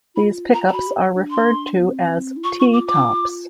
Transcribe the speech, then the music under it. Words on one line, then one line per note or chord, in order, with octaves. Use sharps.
These pickups are referred to as "T-tops".
F4 B5
A#5
A#5
F#4 B5
G4
D4
C6
B3
C4
E4
F4 C#6
C#6
D6
D6